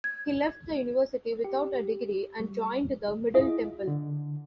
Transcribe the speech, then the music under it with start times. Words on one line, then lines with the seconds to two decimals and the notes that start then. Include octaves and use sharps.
He left the university without a degree, and joined the Middle Temple.
0.04 G#6
1.44 G4
2.40 G3
3.34 E4 F4 G#4 D#5
3.88 D3